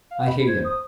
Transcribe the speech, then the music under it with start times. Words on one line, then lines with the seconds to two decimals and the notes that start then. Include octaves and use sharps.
I hate him!
0.11 F5
0.28 B5
0.47 C5 G#6
0.65 D#6